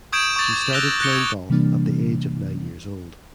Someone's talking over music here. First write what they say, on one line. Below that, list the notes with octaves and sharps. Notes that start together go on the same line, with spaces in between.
She started playing golf at the age of nine years old.
C#6 D#6 G6 G#6 D7 E7
C#6 D6 A6 D7
G#6
E6 F#6 A#6 D7 F7 G7
F#6 G#6 A#6 C#7 G7
E6 G#6
C3 E3 G3 A#3 D4